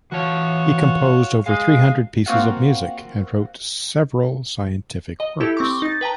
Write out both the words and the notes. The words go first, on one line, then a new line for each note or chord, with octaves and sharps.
He composed over three hundred pieces of music and wrote several scientific works.
E3 F4 F#4 C#5 A5
G#3 F5
A#3 C4 F4 F#4 F5 F#5
D#5
E4 G4 A4
C4 C#6 D6
D#4 A6
B4 G5 A5 A#5